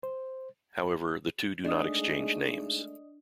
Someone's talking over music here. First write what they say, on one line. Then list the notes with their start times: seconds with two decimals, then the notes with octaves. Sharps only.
However, the two do not exchange names.
0.03 C5
1.64 G#3 A3 D4 D#4 G#4 D5 D#5 D#6